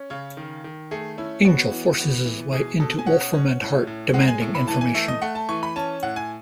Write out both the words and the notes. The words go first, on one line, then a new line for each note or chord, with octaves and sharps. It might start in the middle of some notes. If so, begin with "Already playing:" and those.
Angel forces his way into Wolfram and Hart, demanding information.
Already playing: C#4
C#3 C#5
D#3
D#3
A3 G#4
C#4 E4
B3 F#4
E3
B3
E3
B2 G#4
B2 A4
G#5
C#4 F#5
C#4
A2
A2
G#3 F#5
G#5
A2
B5
E3 A5
G#5
A3 E5
D#5
A3 F#5
A5
E3 C#6
B5
C#4 A5
A2 F#5
G#5